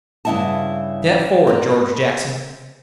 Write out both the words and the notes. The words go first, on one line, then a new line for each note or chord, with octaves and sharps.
Step forward, George Jackson.
G2 C#3 G#3 E4 F#5 A5
C4 A#4 D5